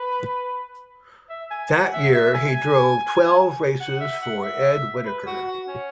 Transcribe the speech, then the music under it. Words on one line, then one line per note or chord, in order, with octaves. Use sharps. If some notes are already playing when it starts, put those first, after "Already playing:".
That year, he drove twelve races for Ed Whitaker.
Already playing: B4
E5
G#5
F#5
E5
E5
G#5
F#5
E5
F#5
E5
B4
F#4
F#4
C#4